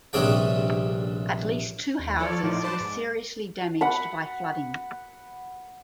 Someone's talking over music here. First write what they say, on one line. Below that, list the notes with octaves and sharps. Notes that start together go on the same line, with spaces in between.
At least two houses were seriously damaged by flooding.
A#1 G2 C3 C#4 G#4 G5
D#2
F3 A4 C#5 D5
A2 F3 D#4 D5
B4 C5 A5
G#2
F#5 B5